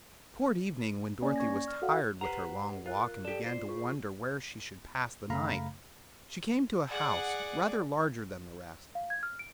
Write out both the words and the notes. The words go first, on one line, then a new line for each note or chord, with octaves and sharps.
Toward evening, when Dorothy was tired with her long walk and began to wonder where she should pass the night, she came to a house rather larger than the rest.
A#3 C#4 D5 G#5
C#6 G#6 A#6
D5
F6
F#4 A4 F5 F#5
G4 B4 C5 F#5 A#5
F4 A#4 F#6
G4 A4 D5
F4 C5
F4 G#4 C#6
F#2 C#3 A3 F5 A#5 B5
G#4 D5 F#5
F5
G#6
F6
D7